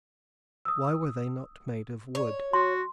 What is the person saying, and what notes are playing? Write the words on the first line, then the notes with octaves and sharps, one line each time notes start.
Why were they not made of wood?
D#6 E6
C#5
F#4 C6